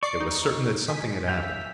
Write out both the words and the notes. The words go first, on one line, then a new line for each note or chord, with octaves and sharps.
It was certain that something had happened.
D5 C#6 D6 C7
D#4
G#5 B6
E5 F5 G5